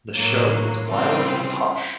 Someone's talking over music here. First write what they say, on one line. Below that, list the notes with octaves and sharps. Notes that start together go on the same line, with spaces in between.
The show is Wilde and Tausch.
A2 F#3 A#3
C#3 E3 G3 C4 F4